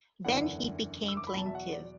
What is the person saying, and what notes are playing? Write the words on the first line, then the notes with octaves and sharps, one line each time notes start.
Then he became plaintive.
F#1 E2 D3 B3 E4 F#5
E6
D6
B5
E2 B2 F#3 A5
E5
F#5
D5